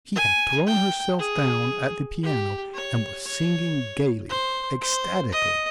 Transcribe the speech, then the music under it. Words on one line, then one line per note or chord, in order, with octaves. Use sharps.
She had thrown herself down at the piano and was singing gaily, ecstatically.
G#5
G5
G#4
G4
C#5
C#5
C5
C5
D#5